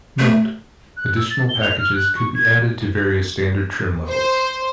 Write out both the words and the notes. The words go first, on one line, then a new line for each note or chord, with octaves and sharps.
Note: Additional packages could be added to various standard trim levels.
A3
F#6
E6
A6
G7
F7
F6
F#6
C#6
G#6
C5